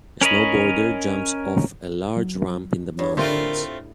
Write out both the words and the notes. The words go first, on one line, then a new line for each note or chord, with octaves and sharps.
A snowboarder jumps off a large ramp in the mountains.
C#4 A#4 C#5 D#5 B5
F#3
G2 C#5
A2 D3 A3 C4 F4 A#4